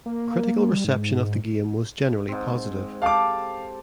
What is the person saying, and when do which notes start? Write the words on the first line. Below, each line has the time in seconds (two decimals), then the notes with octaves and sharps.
Critical reception of the game was generally positive.
0.06 A#3
0.71 G3
0.85 G#2
2.28 G#2 C4
3.02 G4 A4 F5 A5 D6